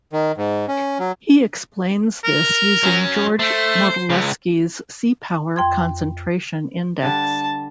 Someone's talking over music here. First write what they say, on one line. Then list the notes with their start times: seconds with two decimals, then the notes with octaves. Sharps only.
He explains this using George Modelski's Seapower Concentration Index.
0.13 D#3
0.37 G#2
0.68 C#4
0.99 F#3
2.24 A#4
2.83 F#3 C#4
3.39 A3 C5
4.10 C#2 C#3
5.56 F2 G5 C6 G#6
7.03 D3 G3 A5